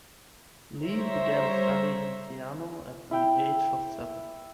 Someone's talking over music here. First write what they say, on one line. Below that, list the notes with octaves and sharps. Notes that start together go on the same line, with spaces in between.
Li began studying piano at the age of seven.
G3 C5 C#5 E5 A#5
E4 G5